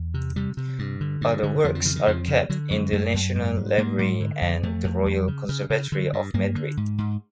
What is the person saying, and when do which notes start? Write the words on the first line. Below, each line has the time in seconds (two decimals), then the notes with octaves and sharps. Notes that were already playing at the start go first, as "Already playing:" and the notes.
Other works are kept in the National Library and the Royal Conservatory of Madrid.
Already playing: E2
0.14 C3
0.36 C3 G3
0.57 C3
0.79 G2
1.01 D3
1.21 G2
1.43 D3
1.64 F2 F3
1.75 F3
1.85 C#3 E3
1.96 D#3
2.07 F2 F3
2.28 C#3
2.50 D3 F#3
2.70 F#2 F3
2.92 F#2 A3
3.14 F#2
3.35 G#2
3.57 G#2
3.78 G#2 A#3
3.99 G#2
4.20 D3
4.42 F2
4.63 F2 A3
4.84 F2
5.06 F2
5.28 C#3
5.49 C#3
5.70 C#3
5.92 D3
6.13 G2
6.34 G2 A#3
6.55 D3
6.77 G#2
6.98 G#2